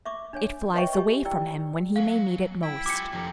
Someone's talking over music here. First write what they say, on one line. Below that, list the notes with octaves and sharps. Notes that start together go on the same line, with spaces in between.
It flies away from him when he may need it most.
E5 C#6 D6
D4 C#5 G#5
B4 C#5 D#5 E5 G5 C#6
G4 G#5 C#6
E4 D5 G5 E6
F#3 G#3 F5
E4 G5
F4 G4 G5 G#5 D6 C#7
F1 D#2 F4 A#5